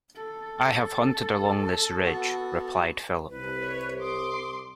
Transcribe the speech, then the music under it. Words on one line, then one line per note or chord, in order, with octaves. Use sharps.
I have hunted along this ridge, replied Philip.
A4
B3 F#4
C2 B4
C#5
C6 D6 D#6